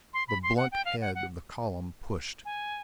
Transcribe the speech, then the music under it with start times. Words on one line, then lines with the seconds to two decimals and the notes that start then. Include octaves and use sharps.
The blunt head of the column pushed.
0.13 C6
0.28 B5
0.43 C6
0.57 F#5
0.72 G5
0.85 F5
1.01 F#5
1.15 F#5
2.45 G#5